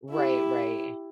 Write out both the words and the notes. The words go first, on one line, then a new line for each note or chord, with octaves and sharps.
Right, right.
E4 G4